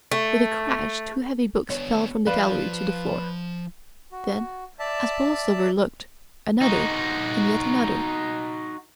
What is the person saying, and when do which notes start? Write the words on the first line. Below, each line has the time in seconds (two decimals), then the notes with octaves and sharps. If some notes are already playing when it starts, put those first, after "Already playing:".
With a crash two heavy books fell from the gallery to the floor; then, as Borlsover looked, another and yet another.
0.11 A3
1.70 B3 D4 C#5
2.27 F3 B4 D5 F5
4.12 F#4
4.79 D5 E5 A5
6.62 D#4 F#4